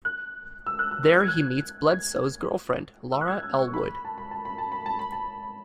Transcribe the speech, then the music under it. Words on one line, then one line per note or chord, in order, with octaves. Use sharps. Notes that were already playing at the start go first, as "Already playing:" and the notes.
There he meets Bledsoe's girlfriend, Laura Elwood.
F#6
E6
F#6
E6
G#6
F#6
G#6
E6
F#6
G#6
E6
C#6
B5
A5
B5
A5
B5
A5
B5
A5
B5
A5